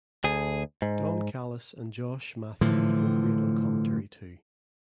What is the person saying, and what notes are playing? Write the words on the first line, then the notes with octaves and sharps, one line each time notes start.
Don Callis and Josh Matthews were great on commentary too.
D2 G#4
G#2
A2 D3 E3 F3